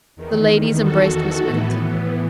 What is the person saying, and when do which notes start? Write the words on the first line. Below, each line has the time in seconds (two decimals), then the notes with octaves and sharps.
The ladies embraced Miss Middleton.
0.16 E2 D#3
0.81 F#4 A4
1.46 A2 E3 B3
1.79 B3